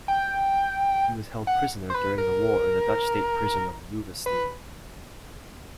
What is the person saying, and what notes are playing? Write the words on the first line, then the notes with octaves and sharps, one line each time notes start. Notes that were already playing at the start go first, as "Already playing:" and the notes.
He was held prisoner during the war in the Dutch state prison of Loevestein.
G5
F#5
C5
B4
A#4
B4